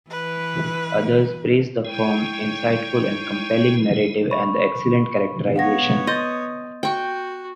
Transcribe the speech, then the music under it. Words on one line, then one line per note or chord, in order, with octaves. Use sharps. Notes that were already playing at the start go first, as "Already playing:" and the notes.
Others praised the firm, insightful and compelling narrative, and the excellent characterization.
E3 B4
G#3 E4 C#5 G5
B5 C#6
B3 C#5 F5 F#5 A#6
D#5 C6 G6 A6
F#4 G5 C#6